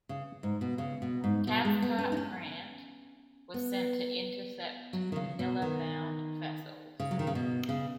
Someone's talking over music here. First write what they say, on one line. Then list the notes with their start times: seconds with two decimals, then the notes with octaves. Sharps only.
Cathcart Grant, was sent to intercept Manila bound vessels.
0.09 C#3
0.43 G#2
0.61 B2
0.78 C#3
1.02 B2
1.24 G#2
1.47 B2
1.65 G#3
1.82 B3
1.99 C#4
2.12 D#4
2.17 C#4
3.54 B3
4.93 F#3
5.12 D#3
5.16 C#3
5.39 B2
5.62 D#3
7.00 C#3
7.11 F#3
7.19 D#3
7.27 C#3
7.35 B2
7.69 C#3